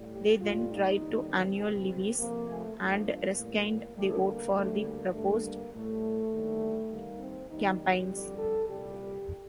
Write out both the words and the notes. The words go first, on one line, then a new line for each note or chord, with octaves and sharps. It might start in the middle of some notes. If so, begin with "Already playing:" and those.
They then tried to annul levies and rescind the vote for the proposed campaigns.
Already playing: A2 G3
G4
A2 G3 F4
D#4
D#2 D3 G3
C4
C2 A#2 G3
F2 C3 F3 A#3
A3
G2 F3 A3
A#3
A2 G3
D2 D3 G3 A3
A#3
D2 D3 G3 A3
A#3
G2 D3 G3 A3
A#3
A2 G3 A3
D#2 D3 G3
D#2 D#3 G3 A#3
C4
D#2 D#3 G3 D#4
G4
F2 D3 G3
A4
C2 A#2 G3 G4